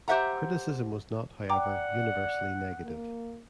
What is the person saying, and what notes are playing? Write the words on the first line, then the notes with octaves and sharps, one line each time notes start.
Criticism was not, however, universally negative.
G4 C5 E5 F#5 A#5
D5 F#5 G5 A#5 D6
A#3